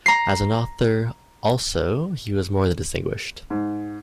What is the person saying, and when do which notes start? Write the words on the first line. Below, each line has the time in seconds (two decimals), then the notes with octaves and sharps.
As an author also he was more than distinguished.
0.06 A#5 C7
3.50 G#2